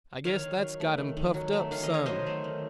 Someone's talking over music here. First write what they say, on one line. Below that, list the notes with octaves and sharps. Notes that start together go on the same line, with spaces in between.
"I guess that's got him puffed up some."
D#3 C#5 F5
D#3
F#3
A3
D#3
D#3
F#3
A3
D#3 F5
D#5
D#3 C#5
F#3 C5 D#5
A3
D#3